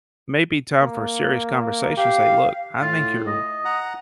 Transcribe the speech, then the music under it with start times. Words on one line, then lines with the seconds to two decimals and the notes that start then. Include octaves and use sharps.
maybe time for a serious conversation to say, "Look, I think you're
0.81 A#3
1.98 G4 F5
2.81 A2 F4
3.27 D#5
3.65 F#5 A#5